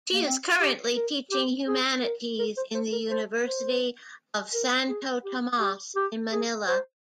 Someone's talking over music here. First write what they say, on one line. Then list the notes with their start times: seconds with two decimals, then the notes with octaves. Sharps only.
She is currently teaching humanities in the University of Santo Tomas in Manila.
0.13 A#3
0.25 C4
0.61 G4
0.96 A#4
1.31 G4
1.68 G#4
2.03 A#4
2.39 A#4
2.57 C5
2.74 C5
2.92 A#4
3.10 C5
3.46 C5
4.53 A#4
4.89 G#4
5.24 G4
5.60 G4
5.96 G4
6.32 G#4
6.68 C5